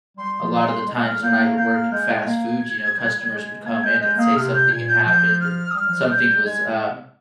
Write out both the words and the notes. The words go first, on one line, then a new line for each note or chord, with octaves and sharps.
a lot of the times when I would work in fast food, you know, customers would come in and say something had happened or something was, um,
G3 C6
F3
C6
G3
G#3
G3 F6
A#3 G6
A#3
A#3 G6
F6
G#3 G6
G#6
A#3
G3
G3
G#3
A#3 G#6
G#3 G6
G#3 G6
A#3 D#6
C3 F6
G6
A#2 G#6
G6
F3 G6
F6
D#6
G3 F6
F3
G3
G6
G#3 G#6